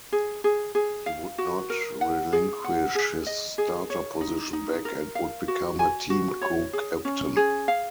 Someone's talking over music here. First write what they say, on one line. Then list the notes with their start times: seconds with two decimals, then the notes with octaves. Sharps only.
He would not relinquish his starter position back and would become a team co-captain.
0.12 G#4
0.44 G#4
0.75 G#4
1.06 F5
1.38 F#4
1.70 A#4
2.01 F#5
2.33 G#4
2.64 F#5
2.95 G#4
3.27 D#5
3.58 G#4
3.90 C#5
4.21 D#4
4.53 D#4
4.85 A#4
5.15 F5
5.48 F#4
5.79 G#5
6.10 F#4
6.41 C#5
6.73 G#4
7.05 C#4
7.36 G#4
7.68 F5